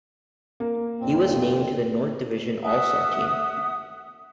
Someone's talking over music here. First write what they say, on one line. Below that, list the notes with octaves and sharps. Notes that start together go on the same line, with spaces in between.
He was named to the North Division All-Star team.
A#3
F2 A#2 C4
E5 F#5 D#6